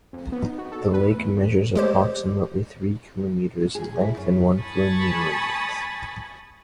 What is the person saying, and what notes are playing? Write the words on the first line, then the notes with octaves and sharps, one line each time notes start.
The lake measures approximately three kilometres in length and one kilometre in width.
F2
B3
D#4
F#4
A4
B4
A2
E2
F#2
G#3 G4 C5
G#4
E4
F#2
G#5 A5 B5 C#6 D#6 A6